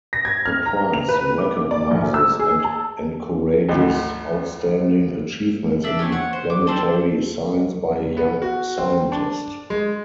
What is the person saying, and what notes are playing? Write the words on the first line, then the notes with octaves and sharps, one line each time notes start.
The prize recognizes and encourages outstanding achievements in planetary science by a young scientist.
A#6
G#6
F6
A#5
F7
B4
D6
D5
A#1
E6
G#4
A5
G#1 D2
D4 D5 E5
C#4 G4 C#5 G#5
C#5 F#5
C5
D6
C4 D4 A4 C5
B3
F#4
C4
D4
G#3